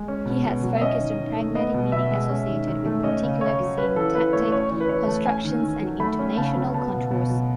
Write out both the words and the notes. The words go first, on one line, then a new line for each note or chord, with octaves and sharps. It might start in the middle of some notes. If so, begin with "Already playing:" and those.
He has focused on pragmatic meaning associated with particular syntactic constructions and intonational contours.
Already playing: G#3
C#4
B2
B2
F#3
E5
C#4 D#5
D#3
D#3
A3
B3 D#5
B2
B2 E5
G#3
C#4
D#3
D#3
A3
C#4 D#5
C#3
C#3 C#5
F#3
C#4 B4
E3 A4
E3 B4
A3 C#5
C#4 C#5
E3 C#5
B4
E3 C#5
A3 A5
C#4 G#5
D#3
D#3
F#3
A3 B5
C#4
C#3 A5
F#3
B3 A5
B2
B2
F#3